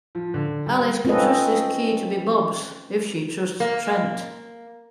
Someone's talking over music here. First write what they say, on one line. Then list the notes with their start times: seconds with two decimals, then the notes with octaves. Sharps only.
Alice can trust this key to be Bob's if she trusts Trent.
0.15 F3
0.34 D3
0.66 G3
1.05 C4 C#4 F4 A4 B4 D#5
3.60 A#3